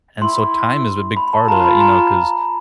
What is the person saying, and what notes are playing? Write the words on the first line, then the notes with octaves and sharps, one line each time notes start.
And so time is a big part of that, you know, 'cause,
E4 C6
B5
A5
F4 A#5
B5
A#5